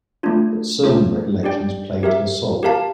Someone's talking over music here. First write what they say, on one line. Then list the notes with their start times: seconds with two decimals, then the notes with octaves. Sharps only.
But certain recollections plagued her soul.
0.23 A3 D4 F4
0.84 A3 D4 F4
1.43 D4 G4 D5 G5
2.03 G4 A#4 E5
2.63 G4 A#4 F5 A5